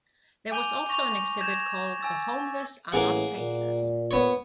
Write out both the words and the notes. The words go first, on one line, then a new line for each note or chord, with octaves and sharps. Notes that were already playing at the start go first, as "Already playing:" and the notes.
There was also an exhibit called "The Homeless are not Faceless".
G#5 D6 G6 D#7 F7 G7
C#6 A#6 F7
G6 G#6 A#6 E7
G#5 E6 A6
A1 A#3 G#4 F#5
A#2
B3 C#5